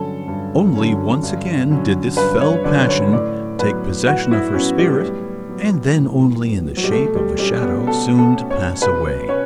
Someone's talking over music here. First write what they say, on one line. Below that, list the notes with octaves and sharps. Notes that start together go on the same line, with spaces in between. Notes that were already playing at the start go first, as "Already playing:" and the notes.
Only once again did this fell passion take possession of her spirit; and then only in the shape of a shadow soon to pass away.
Already playing: G2 D3 F#3 C#4 A4
G2
D3 F#3 C#4
G2
D3 F#3 C#4
G2 B4
C#5
D3 F#3 C#4 D5
C#5
A2 D5
F#3 B3 B4
A2 F#4
E4
F#3 B3 C#4
G3
A2
F#3 B3
A2
F#3 B3
F#3
G3
B2 A3
G3
G3 A3 C#4
B3
B2 A4
A4
A3 C#4
C#5
B2 B4
C#4 C#5